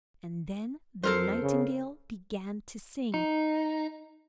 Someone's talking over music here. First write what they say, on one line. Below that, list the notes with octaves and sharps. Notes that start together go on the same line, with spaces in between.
And then the Nightingale began to sing.
F2 A4 A#4 C5
C#3
D#4